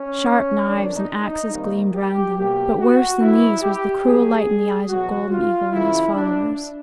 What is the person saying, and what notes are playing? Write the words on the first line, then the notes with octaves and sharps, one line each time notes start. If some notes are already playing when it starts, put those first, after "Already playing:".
Sharp knives and axes gleamed round them, but worse than these was the cruel light in the eyes of Golden Eagle and his followers.
Already playing: C#4
F2 C3 D#3 D4
D#4
D#4
C3 D#3 G3 A#3
G4
B2 F#3 A#3 G4
F#4
B2 F#3 B3 E4
G4
A2 F#3 A#3 G#4
E2 B2 F#3 F#4
F4
F#2 C#3 E3 E4
D4